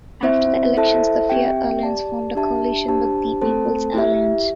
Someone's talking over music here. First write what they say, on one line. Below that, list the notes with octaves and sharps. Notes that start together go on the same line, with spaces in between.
After the elections the "Fear-Alliance" formed a coalition with The People's Alliance.
C4 E4 C5 E5
E4 A4 C5 E5 A5
C4 G4 E5 G5
G4 D5 A5
D4 G4 E5 A5
D4 G4 C5 A5
A3 C4 A4 C5 A5
E4 G4 E5